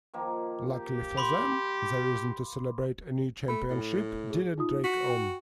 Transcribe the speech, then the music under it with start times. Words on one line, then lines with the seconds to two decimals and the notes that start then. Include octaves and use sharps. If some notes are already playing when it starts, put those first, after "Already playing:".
Luckily for them, the reason to celebrate a new championship didn't drag on.
0.14 D#3 F3 A#3
0.72 G4
1.17 B5 C6 D6
3.48 A3 B5
3.70 A2
4.30 G#4
4.58 D#4 F4 D#6
4.84 F#4 B6
5.10 G5